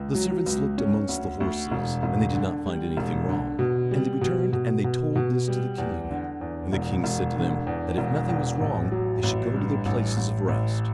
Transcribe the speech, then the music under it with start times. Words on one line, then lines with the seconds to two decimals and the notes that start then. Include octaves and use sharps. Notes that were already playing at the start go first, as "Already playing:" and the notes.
The servants looked amongst the horses, and they did not find anything wrong; and they returned and they told this to the king, and the king said to them that if nothing was wrong they should go to their places of rest.
Already playing: C#2
0.15 F#3
0.46 C#2
0.78 C#4
1.09 D2
1.40 D2
1.72 E1
2.03 E1
2.34 D3
2.66 G3
2.97 E1
3.29 D3
3.59 B2
3.91 G3
4.21 B2
4.53 B2
4.84 B2
5.16 B2
5.48 G3
5.78 E2
6.10 D3
6.41 E2
6.73 E1
7.04 E1
7.36 D3
7.67 E2
7.98 E1
8.29 E2
8.60 A1
8.92 F#3
9.23 A1
9.54 G2
9.86 A1
10.17 A1
10.48 A1